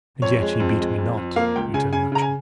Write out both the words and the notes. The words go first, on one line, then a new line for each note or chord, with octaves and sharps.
"And yet ye beat me not," returned Matcham.
F2 C#5
G#3
F2
G#3
F2
F2
A#3 F5
C#2 G5
C#3 G#5
C#3 G#5
C#3 A#5
G#5